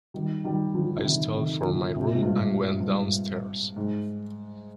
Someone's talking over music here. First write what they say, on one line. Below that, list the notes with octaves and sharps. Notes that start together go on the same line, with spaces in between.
I stole from my room and went downstairs.
D#3 G3
D#3 G3
D3 F3
D3
C3 D#3
C3 D#3
A#2 D3
C3
A#2
G#2
G2 A#2
G2
G#2
G#2